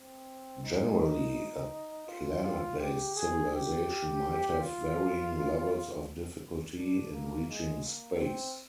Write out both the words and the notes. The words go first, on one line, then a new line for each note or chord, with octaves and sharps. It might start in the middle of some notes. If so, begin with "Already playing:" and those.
Generally, a planet-based civilization might have varying levels of difficulty in reaching space.
Already playing: C4
D#4
F4
F4
G4
G#4
G4
F4
D4
A#3
G#3
A#3
C4